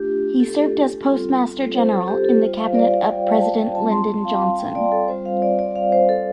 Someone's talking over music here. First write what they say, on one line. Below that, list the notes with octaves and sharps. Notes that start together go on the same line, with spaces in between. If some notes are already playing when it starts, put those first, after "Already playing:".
He served as Postmaster General in the cabinet of President Lyndon Johnson.
Already playing: A3 D4 F4 G4
A4
G3 C4 F4
C5
A4
G4
A4
G3 F4 C5
F5
D5
F5
G5
A5
G5
G3 C4 F4 A5
C6
A5
F5
F5
G5
D5
A4
G3 C4 F4 C5
F5
D5
D5
F5
C5
A4